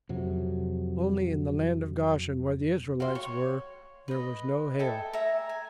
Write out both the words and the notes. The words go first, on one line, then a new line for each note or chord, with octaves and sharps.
Only in the land of Goshen, where the Israelites were, there was no hail.
F2 C3 F#3
F#4 F5 G5 C6
C#5
B4 D#5
A4 E5 G5 G#5
E5 G#5 A#5
G#5